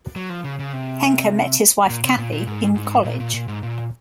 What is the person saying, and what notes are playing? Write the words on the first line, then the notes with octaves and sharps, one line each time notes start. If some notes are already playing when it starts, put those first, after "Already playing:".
Henke met his wife Kathy in college.
F#3
F3
C#3
C#3
C3
A#2
C3
A#2
A#2
G#2
G#2
A#2
A#2
A#2
G#2
A#2